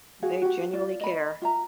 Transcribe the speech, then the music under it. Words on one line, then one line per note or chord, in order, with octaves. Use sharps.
They genuinely care.
F#4 G#4 F5
F#4 G4
F4 D5
D#5 B5
F4 E5 A#5